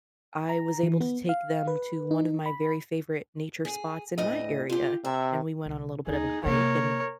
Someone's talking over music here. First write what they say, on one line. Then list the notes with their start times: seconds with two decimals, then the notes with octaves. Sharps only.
I was able to take them to one of my very favorite nature spots in my area; and we went on a little bit of a hike, and
0.49 A#5
0.83 E3
1.00 B3
1.29 F5
1.67 B4
2.11 D#4
2.46 B5
3.65 G#4
4.18 D2 A2 D#5
4.70 F4 G4
5.05 C3 E5
5.65 C2
6.07 D#2 D#4 G#4
6.45 C3 A#3 A#4 C#5